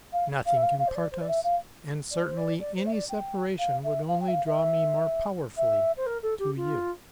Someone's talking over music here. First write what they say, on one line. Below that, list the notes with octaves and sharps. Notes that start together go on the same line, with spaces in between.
Nothing can part us; and certainly any separation would only draw me more powerfully to you.
F5
F5
E5
F5
F5
C5
D5
C5
D5
E5
F5
D5
C5
D5
D5
C5
E5
D5
G5
F5
E5
F5
G5
E5
F5
E5
E5
C5
A#4
A4
G4
F4